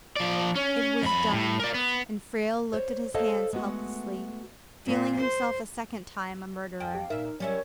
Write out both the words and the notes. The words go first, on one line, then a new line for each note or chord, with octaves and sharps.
It was done, and Frale looked at his hands helplessly, feeling himself a second time a murderer.
F3 D5
C#4
F2 B5
A2
A#4 D5
B3
C5 C#5
A4 C5 C#5 D#5 F5 A5
G#3 A3 B3 F#4
A#2
C5
F2 G5 G#5
G4 F5
A#2 D#4 A#4 E5
F#3 G3 C#4 E4 C#5